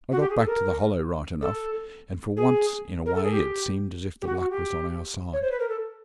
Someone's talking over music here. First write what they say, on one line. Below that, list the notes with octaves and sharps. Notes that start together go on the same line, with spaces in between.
I got back to the Hollow right enough, and for once in a way it seemed as if the luck was on our side.
F#4
G4
G#4
A4
A#4
A4
G#4
A#4
A4
G#4
G4
G4
F#4
F#4
G4
C#5
C5
B4
A#4
A4